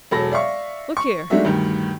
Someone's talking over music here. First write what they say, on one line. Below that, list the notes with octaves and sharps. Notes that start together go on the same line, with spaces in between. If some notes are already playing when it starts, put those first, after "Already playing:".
Look here!
E1 F#3 A4 B5 A#6
D5 E5 F5 C#6
C#6
G#3 A3 D4 D#4 F#4 E5
D2 G2 D#3